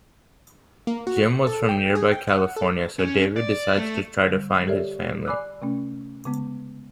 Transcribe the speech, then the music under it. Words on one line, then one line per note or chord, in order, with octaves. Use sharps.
Jim was from nearby California, so David decides to try to find his family.
A#3
F#4
C#7
A4
G5
G#4
G5
F#5
A4
C#4
D5
A3
D3 G3
G4 A4 A#4 C#5 D5 E5
D5 G#5 B5 D6 E6 F#6
C3 A3 C#4
C#3 G#3 B3